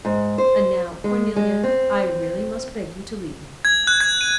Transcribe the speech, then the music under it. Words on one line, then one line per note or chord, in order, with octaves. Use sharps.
"And now, Cornelia, I really must beg you to leave me."
G#2
C5
G#3
G#3
C4
G#6
F#6
G#6
D#7